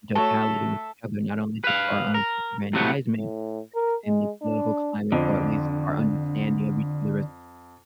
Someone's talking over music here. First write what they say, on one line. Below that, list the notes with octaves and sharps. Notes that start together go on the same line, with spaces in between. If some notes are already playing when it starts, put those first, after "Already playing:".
in totality with each other, not only just for our own self-aggrandizement, but just in the political climate or at least our understanding of each other as
A3 F#4 A4 C#5 E5
B4 F5
A#4
A2 C3 F#3 A3 B3
A2
A#4
G#3
D4
F2 D3